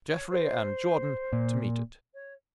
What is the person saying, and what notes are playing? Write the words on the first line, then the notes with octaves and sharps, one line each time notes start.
Geoffrey and Jordan, to meet it.
C#5
C5
A#2
C#5